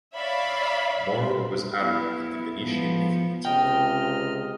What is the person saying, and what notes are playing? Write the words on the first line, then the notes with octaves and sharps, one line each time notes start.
Moro was Admiral of the Venetian fleet.
C#5 D5 E5 F5 B5
B3 E4
F3 B3
C#2 C3 D#5 G5 F6